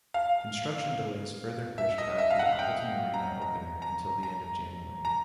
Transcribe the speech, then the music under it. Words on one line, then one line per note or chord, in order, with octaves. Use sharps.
Construction delays further pushed back the Appleton Arena opener until the end of January.
F5
E5
D#5
E5
F5
F#5
G5
A#5
A#5
A#5
A#5
A#5